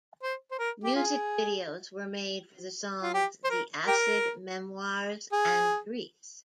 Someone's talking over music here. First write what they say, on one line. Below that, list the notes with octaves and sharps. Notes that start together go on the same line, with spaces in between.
Music videos were made for the songs "The Acid Memoirs" and "Grease".
C5
C5
A#4
G4
F4 G#4
F4
G4
C5
A#4
G4 A#4
G#4